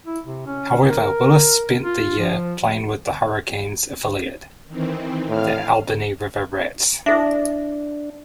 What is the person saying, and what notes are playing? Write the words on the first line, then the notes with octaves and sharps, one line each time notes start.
However, Willis spent the year playing with the Hurricanes affiliate, the Albany River Rats.
E4
C3
C#4
A#4
F4
F3
D#3 E3 C4
A2 F5 F6
D4 E4 A4 E5